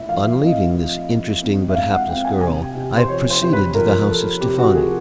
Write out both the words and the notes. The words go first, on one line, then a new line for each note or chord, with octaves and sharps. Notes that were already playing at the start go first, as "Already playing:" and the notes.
On leaving this interesting but hapless girl, I proceeded to the house of Steffani.
Already playing: A2 E5
F3 F5
E5
C4 D#5
F3
F3
C4
E5
G#3 F5
F#5
C4 G5
G#5
C3 G#5
G5
C3
C5
F3 C#5
C5
C3 C5
B4
F3 A#4
F3 A4
C3 G4
F#4
F3 G#4